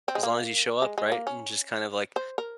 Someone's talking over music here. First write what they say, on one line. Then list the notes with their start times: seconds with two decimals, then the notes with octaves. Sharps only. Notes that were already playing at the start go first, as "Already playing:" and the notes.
As long as you show up, right, and just kind of, like,
0.08 C4
0.15 G#3
0.23 A#3
0.82 G#3
0.98 G#3
1.12 A#3
1.27 C#4
2.16 C5
2.38 A#4